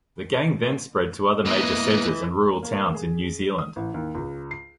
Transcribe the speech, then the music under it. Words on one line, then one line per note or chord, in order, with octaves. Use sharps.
The gang then spread to other major centres and rural towns in New Zealand.
E3 A#3 B3 D#5
A#3
G#4
D#6
A1
D#2
C#2
C7